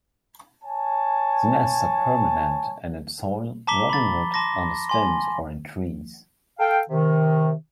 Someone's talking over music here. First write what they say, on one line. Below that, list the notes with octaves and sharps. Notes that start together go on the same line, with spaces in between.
The nests are permanent and in soil, rotting wood, under stones, or in trees.
C#5 G#5 A5
A5 A#5 D6 B6 G7
B5 A6
A5 C6 D6 A#6
G#5 C6
A4 F5 G5
C3 D#3